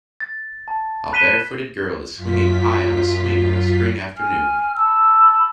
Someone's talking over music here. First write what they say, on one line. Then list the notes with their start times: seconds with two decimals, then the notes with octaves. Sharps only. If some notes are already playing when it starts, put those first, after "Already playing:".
A barefooted girl is swinging high on a swing on a spring afternoon.
0.20 A6
0.68 A5
1.12 B5 F#6 B6 D#7 E7 G7
2.16 F#2 F4 B6
4.17 G#5 F6
4.74 A5 B5 E6